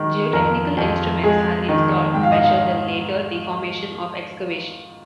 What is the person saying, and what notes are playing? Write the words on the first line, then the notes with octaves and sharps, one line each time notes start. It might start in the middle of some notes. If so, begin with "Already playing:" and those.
Geotechnical instruments are installed to measure the later deformation of excavation.
Already playing: D#3 G#3
F2 A#4
F2
G#3 G#4
D#3
G#2 G5
F5
D#5
F5